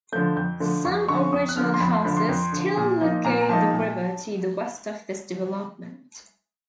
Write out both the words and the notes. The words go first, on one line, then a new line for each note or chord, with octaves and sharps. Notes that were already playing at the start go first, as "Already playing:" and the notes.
Some original houses still look over the river to the west of this development.
D3 F3 A3 G6
F2 G6
D3 F3 A3
F2 C#6
D3 F3 C#6
F2 D#6
F#6
D3 F3 F6
C6
F2 B5
C6
D3 F3 B5
C6
F2
D3 F3
A#2
F3 A#3 D#4
A#2 A#5
A#5
F3 A#3 D#4 A5
A#2